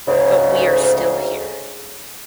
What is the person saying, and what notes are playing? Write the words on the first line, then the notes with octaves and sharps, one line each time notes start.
But we are still here.
D2 G#2 C#3